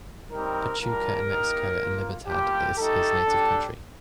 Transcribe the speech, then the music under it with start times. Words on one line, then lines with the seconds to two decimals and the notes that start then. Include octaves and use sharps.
Pachuca in Mexico and Libertad in his native country.
0.31 G3 C4 D#4 G4 A#4
0.80 G3 D4 F4 A#4
1.30 A#3 D#4 G4
1.79 A#3 F4
2.28 G3 A#3 F4 G4
2.78 A3 D#4 G4 A4
3.27 G3 D4 G4